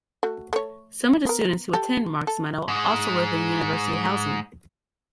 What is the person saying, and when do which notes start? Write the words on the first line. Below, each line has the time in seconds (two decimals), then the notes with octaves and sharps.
Some of the students who attend Mark's Meadow also live in university housing.
0.23 A3 F#4
0.53 A3 C#5
1.26 B3 A#4
1.74 G4 A4
2.27 A4
2.68 G#2 G#3